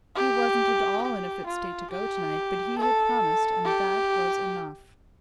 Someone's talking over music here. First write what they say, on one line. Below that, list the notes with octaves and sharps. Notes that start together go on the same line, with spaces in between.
"He wasn't at all in a fit state to go to-night, but he had promised, and that was enough."
G4
G4
F4
G4
A4
G4